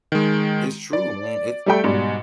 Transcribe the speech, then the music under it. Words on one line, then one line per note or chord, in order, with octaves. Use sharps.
It's true, man, it's
D#3 G#3
D5
G3 A3 G5
G#2 B2 G3